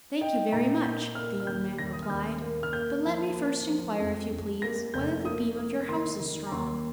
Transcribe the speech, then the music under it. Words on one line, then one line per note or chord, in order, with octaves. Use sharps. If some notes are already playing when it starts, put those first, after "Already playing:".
"Thank you very much," the young man replied; "but let me first inquire, if you please, whether the beam of your house is strong."
D#4 G5
A#2 A#5
A#3 G6
A#3 F6
F6
D#2 G6
D#2 A#6
D#6
F6
D#2 G6
A#3
F6
A#3 G6
F3
A#3
F3
F2
F2
A#3 A#6
F1 G6
A#3 D#6
A#3
D#3 C6
D#3
A#5
D#2 C6